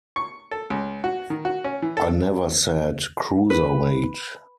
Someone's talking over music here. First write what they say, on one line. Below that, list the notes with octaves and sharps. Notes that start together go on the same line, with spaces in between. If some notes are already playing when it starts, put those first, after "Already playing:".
I never said cruiserweight.
C#6
A4
C#2
F#4
D#3
F#4
C#4
E3
A4
B4